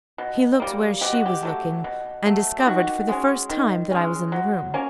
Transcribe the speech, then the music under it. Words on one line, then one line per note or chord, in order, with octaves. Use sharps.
He looked where she was looking--and discovered, for the first time, that I was in the room.
B2
G3 A#3
B2 G4
F#4
G4
F#3 A3
B2
F#3 A3
G4
D#3 F#4
G#3 C#4
D#3
G#3 C#4
F#3
A#3 C#4